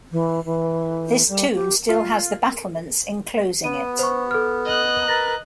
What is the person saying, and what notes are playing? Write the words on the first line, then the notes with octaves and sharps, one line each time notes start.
This tomb still has the battlements enclosing it.
E3
E3
G3
G4
F4
B3 D#7
C5 C#6
A4 F6
D#5 F#6
A#4 B4 A6 A#6